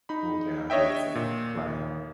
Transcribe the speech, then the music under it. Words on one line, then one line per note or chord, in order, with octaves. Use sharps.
Cool down, just seeing Right.
D#4 B5
D4 C#5 D#5 E5 G5
A#2
D#2